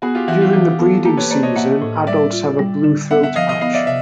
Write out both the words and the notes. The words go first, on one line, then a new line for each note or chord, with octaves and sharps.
During the breeding season, adults have a blue throat patch.
B3 F#4 G#4
F4 G4
E3 E4 F#4
F4 G4
E3 F4 G4
B3 G4 A4
A#3 G4 A4
B4 C#5
A#3 C5 D5
C#5 D#5
A#3 E5 F#5
A2
G3 D5 E5
F4
G3
D3
B3 E5 F#5
E5 F#5
F3 D#5 F5
D#5 F5
B3 D#5 F5
D5 E5
C3 E5